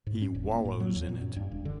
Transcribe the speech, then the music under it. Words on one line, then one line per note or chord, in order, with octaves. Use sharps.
He wallows in it.
G#2
C#4
D#1
A#3
A2
F#3
E2
A#2
F#2
G2
E1
D3